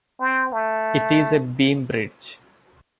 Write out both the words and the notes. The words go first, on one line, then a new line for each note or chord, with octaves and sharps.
It is a beam bridge.
C4
A3